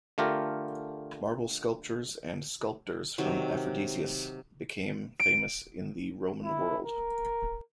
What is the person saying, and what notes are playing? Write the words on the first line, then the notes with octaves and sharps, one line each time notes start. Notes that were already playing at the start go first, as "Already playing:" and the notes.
Marble sculptures and sculptors from Aphrodisias became famous in the Roman world.
D3 A3 F4 G4 A#4
C3 D#3 F#3
D7
E4
A#4